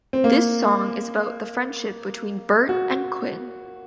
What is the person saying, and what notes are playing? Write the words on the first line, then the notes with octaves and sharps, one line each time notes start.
This song is about the friendship between Bert and Quinn.
C4
A#3
F#4